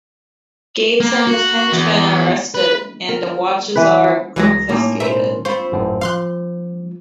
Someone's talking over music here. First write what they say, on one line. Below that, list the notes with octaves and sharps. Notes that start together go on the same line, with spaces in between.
Gates and his henchmen are arrested, and the watches are confiscated.
A#3
F#4
E2
B4
A#4
E3 B4
C2 E3 F#3 G#3 A#6
A2 D#3 A#3 C#4
B2 A#4 C5 E5
C4 F4 C5 B5 C#6
G#1 F#2 A2
F3 F5 C6 F#6